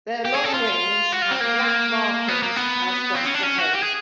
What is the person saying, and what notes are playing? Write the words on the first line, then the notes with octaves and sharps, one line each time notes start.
Their long wings have black markings, as does the head.
G4
G#4
A4
F4
F#4
F4
C4
A#3
B3
A#3
B3
C4
C#4
D4
C#4
F#4
G4
G#4